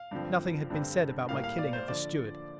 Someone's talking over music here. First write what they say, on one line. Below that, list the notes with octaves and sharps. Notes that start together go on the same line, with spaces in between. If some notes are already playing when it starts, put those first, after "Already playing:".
Nothing had been said about my killing of the steward.
Already playing: F5
G2 D3 F3 C4
G2 D3 G3 C4
A2 G3 A#3 F5
F5
D5
C5
D3 F3 D5